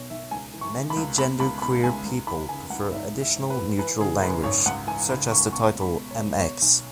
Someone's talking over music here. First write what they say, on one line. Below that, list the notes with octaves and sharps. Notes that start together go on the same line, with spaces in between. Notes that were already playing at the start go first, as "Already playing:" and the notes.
Many genderqueer people prefer additional neutral language, such as the title Mx.
Already playing: B1 B2 C#5
B1 E5
C#2 G#5
E3
C#6
C#3
B5
C#2
B2 B5
C#2 B5
B2 B5
C#2 G#5
C#2
E3 B5
C#3 G#5
C#2 F#5
G#1 E5
E3
E5
G#2
B4
G#1
E3 B4
C#3 G#4
F#2 B4
G#1 C#5
C#2 F#5
E3 G#5
C#3 B5
C#2 C#6
B2 C#6
C#2
B5
B2
C#5
C#2
B2 C#5
B1